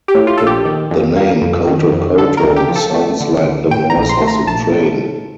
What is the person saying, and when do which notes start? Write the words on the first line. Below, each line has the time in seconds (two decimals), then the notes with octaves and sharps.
The name "Coto Coto" sounds like the noise of the train.
0.08 G4
0.14 A2
0.27 F4
0.37 A#1 A4
0.47 G4
0.65 D#3
0.91 F2
1.16 A#3
1.42 F2
1.67 D#3
1.92 F2
2.18 D3 A4
2.37 A#4
2.43 D2
2.56 G4
2.69 F3
2.75 A4
2.94 A3
3.20 D3
3.45 D2
3.71 A2 G5
3.90 A#5
3.97 A#1
4.03 A#5
4.09 C6
4.22 A3
4.27 A#5
4.47 A#1 A5
4.72 A2